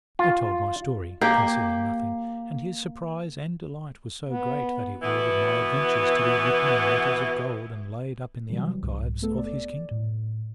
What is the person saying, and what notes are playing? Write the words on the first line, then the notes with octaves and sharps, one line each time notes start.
I told my story, concealing nothing, and his surprise and delight were so great that he ordered my adventures to be written in letters of gold and laid up in the archives of his kingdom.
F4
A#3 G4
B3
B2 E3 B3
C3 E3 F#3 G3
C2 G#2
A3 B3 A4
D5
A2